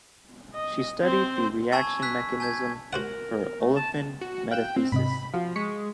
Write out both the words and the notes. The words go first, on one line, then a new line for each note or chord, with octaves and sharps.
She studied the reaction mechanism for olefin metathesis.
D#5
C4 C5
G#5 A5 B5 C#6 E6 G#6
E6 F#6 B6
G#5 A5 G6 G#6
F#4 A#4 C5 F#5
A3
A5
F#4
F5 G5 F#6 E7
C4
G#2 C3 D#5 B5
F3 F#4 F5
G#3 C#6 B6 C#7